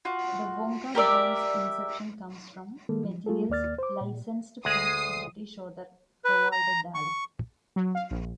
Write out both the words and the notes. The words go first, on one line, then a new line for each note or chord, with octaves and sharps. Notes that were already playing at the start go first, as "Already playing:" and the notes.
The Wonka brand's inception comes from materials licensed from British author Roald Dahl.
F4 F#4
G4 A#4 D5 E5
D#3 G#3 A#3 A4
F3
G3 A3 F4 G#4 A4
D#2 A#3 D5 F6 A6
C5 D6
A#2
D2 G#3 G#4 D#6 C7
B4
A#5
C#6
F#3
F5
A#1